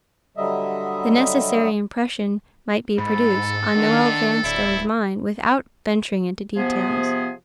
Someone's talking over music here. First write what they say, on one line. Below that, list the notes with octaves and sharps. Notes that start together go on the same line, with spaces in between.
The necessary impression might be produced on Noel Vanstone's mind without venturing into details.
D3 F#3 G3 D#5 E5
G#2 A4 B5
D3 D#3 D4
D1 E4 D5
C3 F3 B3 G#4